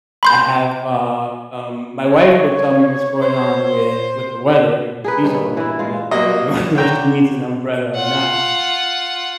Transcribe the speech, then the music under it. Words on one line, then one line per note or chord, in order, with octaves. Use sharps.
I have a, um my wife will tell me what's going on with with the weather, because she's always looking at the weather whether she needs an umbrella or not.
B5 C6 G6
C#5
C5
G#4 A#4 B4
G2 D#4 C#5
E3 E4
G#3 F4
F#3 G3 A#3 D#5
D3 C#5 G5 A#5
F4 F#5